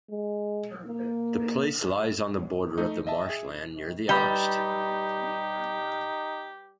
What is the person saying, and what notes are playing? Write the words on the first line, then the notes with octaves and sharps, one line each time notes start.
The place lies on the border of the marshland near the Oste.
G#3
A#3
A3 D#4
D#5 E5 A5
G#4 E5
G3 D#4 G4 B4 B5 G7